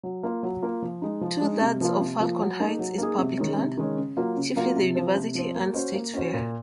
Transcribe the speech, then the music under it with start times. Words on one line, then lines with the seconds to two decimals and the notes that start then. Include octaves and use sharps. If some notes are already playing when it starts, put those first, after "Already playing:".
Two-thirds of Falcon Heights is public land, chiefly the university and state fair.
0.03 F#3
0.23 A#3 F4
0.43 F#3
0.62 A#3 F4
0.82 F3
1.02 G#3 D#4
1.21 F3
1.41 G#3 D#4
1.61 C3
1.81 F3 A#3 F4
2.00 C3
2.20 F3 A#3 F4
2.39 F#3
2.59 A#3 D#4 G#4
2.79 F#3
2.98 A#3 D#4 G#4
3.18 C3
3.38 D#3 G#3 C#4
3.58 C3
3.77 D#3 G#3 C#4
3.97 C#3
4.16 F#3 A#3 F4
4.36 C#3
4.56 F#3 A#3 F4
4.76 C3
4.95 F3 C4
5.15 C3
5.35 F3 C4
5.55 A#3
5.74 C#4 F#4 C5
5.94 A#3
6.14 C#4 F#4 C5
6.34 A#2